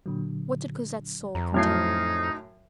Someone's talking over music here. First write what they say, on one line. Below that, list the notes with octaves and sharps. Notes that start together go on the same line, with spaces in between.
What did Cosette's soul contain?
A#2 D3 F#3
F2 A#5
F#2 A2 D#4 F6 G#6 C7